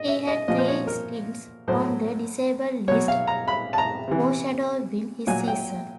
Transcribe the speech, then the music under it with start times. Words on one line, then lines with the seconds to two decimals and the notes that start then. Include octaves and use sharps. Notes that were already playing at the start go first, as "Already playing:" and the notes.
He had three stints on the disabled list, foreshadowing his season.
Already playing: D#5
0.08 E5
0.27 D#5
0.48 A#2 F3 D#5
0.58 C5
0.68 C#5
0.87 A#4
1.68 A2 F#3 C5
2.88 B2 F#3 C#5
3.08 F5
3.28 A#5
3.48 B5
3.73 A5
3.78 A#5
4.08 C3 E3
5.27 A#2 F#3 G#5
5.48 G5